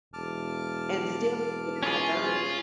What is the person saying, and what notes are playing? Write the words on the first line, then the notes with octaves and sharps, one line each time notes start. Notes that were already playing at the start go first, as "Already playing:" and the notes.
and still get it all done.
E1 A5 D6 F6
C#4 F4 G#4